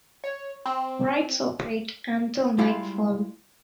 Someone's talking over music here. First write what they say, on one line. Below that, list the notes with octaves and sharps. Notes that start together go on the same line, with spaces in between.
Rides operate until nightfall.
C#5
C4
G3 G#3 E4 F4 F5